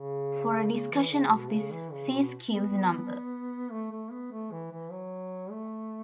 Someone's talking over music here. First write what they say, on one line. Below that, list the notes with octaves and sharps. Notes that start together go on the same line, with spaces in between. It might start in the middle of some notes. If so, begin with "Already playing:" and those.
For a discussion of this, see Skewes' number.
Already playing: C#3
C#3
E3
C#3
B2
C#3
E3
C#3
B2
B3
A3
A3
B3
A3
E3
E3
F#3
A3